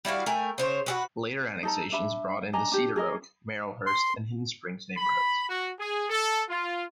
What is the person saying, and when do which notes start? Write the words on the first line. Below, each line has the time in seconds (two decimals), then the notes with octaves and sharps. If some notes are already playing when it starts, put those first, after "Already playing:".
Later annexations brought in the Cedaroak, Marylhurst and Hidden Springs neighborhoods.
0.05 G3 E4 F#4 F5
0.26 A3 A#4 G5 G#5
0.58 C#3 C5 C#5
0.86 F#4 G#4 B4
1.63 D#4 A4 A#5
1.92 D4 E5 B5
2.53 D4 D#5 G#5 A#5
2.72 D4 G4
2.96 G#4 A#4 D#5
3.87 C6
4.97 B5
5.49 F#4
5.79 G#4
6.09 A4
6.49 F4